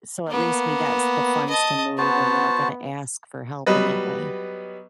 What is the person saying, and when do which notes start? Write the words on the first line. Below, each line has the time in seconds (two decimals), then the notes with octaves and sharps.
so at least we gots the funds to move and we don't gotta ask for help in that way
0.28 A#3 B3
1.50 D#5 A5
1.98 B3 F#4 C5 A5
3.66 F#3 G3 B3 B4 D#5